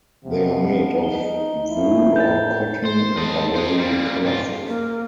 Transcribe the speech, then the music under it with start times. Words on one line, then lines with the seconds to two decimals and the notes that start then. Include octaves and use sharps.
They are made of wool or cotton and are very colorful.
0.24 C3 F3 B3
1.03 D#4 G7
1.69 F3 A3 E4
2.16 A2 G6 A6
2.85 C5
3.18 A4 D#5
3.55 C5 D#5
3.78 G3 A#3
4.25 G2 F4
4.68 A#3